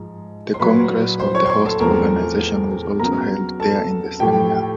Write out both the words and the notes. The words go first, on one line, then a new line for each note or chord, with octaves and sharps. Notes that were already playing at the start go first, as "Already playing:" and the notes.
The congress of the host organisation was also held there in the same year.
Already playing: G#2 F3
C6
A#2 F#3 A#3 B4 B5
C5 C6
C#5 C#6
C6
C#5 C#6
A4 A5
E2 C3 F3 A3 C4 A#4 A#5
C#3 F#3 B3 A#4 A#5
A4 A5
A2 F3 A3 G4 G5